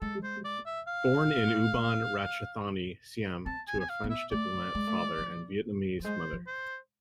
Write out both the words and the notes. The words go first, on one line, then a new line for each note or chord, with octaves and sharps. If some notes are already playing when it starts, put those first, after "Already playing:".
Born in Ubon Ratchathani, Siam to a French diplomat father and Vietnamese mother.
G#3 A4
C5
D5
E5
F5
A3
C4 A5
G#5
C4
G#5
F5
B3
E5
A3 D5
G#3
A3
G#3
F3
F3
G#3 C5
F3
C5